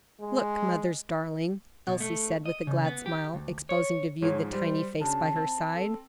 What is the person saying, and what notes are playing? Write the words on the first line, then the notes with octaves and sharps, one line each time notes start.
"Look, mother's darling," Elsie said with a glad smile, exposing to view the tiny face by her side.
G#3
B2
A3
D#5
C#3
B3
G4
D2
C#5
G#2 F3 G#3 C#5
G3 C5
C#3 D4 F#4 A5
C4
A4